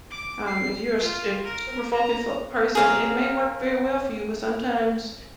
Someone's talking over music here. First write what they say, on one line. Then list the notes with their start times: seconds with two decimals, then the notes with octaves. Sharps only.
Um, if you are a st if you're a super focused fo person, it may work very well for you, but sometimes
0.11 D6
0.47 C7
1.00 F4
1.45 A#4
1.92 A#5
2.75 C4 C#4 G#4 A#4 F5